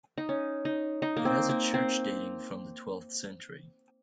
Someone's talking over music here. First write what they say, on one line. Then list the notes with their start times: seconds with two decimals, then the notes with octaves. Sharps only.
It has a church dating from the twelfth century.
0.18 D#4
0.29 C#4
0.65 D#4
1.02 D#4
1.17 A#3
1.25 C4
1.49 A#3
1.74 C4